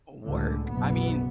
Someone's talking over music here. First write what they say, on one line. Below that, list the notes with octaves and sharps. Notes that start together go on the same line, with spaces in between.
work. I mean,
C#2 A2 D3
F#1 B1 B3